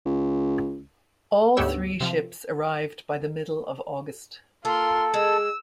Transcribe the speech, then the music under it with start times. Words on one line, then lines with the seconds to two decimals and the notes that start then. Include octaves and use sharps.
All three ships arrived by the middle of August.
0.06 C#2
1.57 D2 G#2 B3 G4 C#5 E6
2.00 C3 F3
4.65 A#3 F4 A4 C6
5.14 G#3 E6